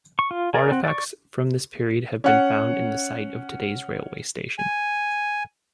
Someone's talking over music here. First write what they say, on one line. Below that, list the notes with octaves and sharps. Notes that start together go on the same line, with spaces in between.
Artifacts from this period have been found in the site of today's railway station.
C#6
F4
G#4 A#4 D5
C4 F#5
D5 C#6
C#4 F#5
G#5